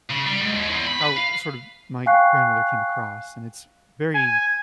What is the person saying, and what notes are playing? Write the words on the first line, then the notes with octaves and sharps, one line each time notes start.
how, sort of, my grandmother came across, and it's very
C#3
G3
G#2
D#2
E2
B5
B4
F5
F5 G5 G#5 C#6 F#6 C7
G#5